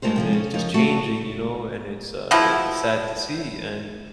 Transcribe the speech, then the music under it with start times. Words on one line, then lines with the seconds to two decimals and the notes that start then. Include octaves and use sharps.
and, uh, it's just changing, you know, and it's, uh it's sad to see, and
0.02 G#3 A3 F4 A#4 C5
0.16 C3 F3 G#3
0.33 C#4
0.54 C#3 F3 C#4 D#4 A#4
0.74 A3 B3 D4 F#4 A4
2.31 B2 F3 E4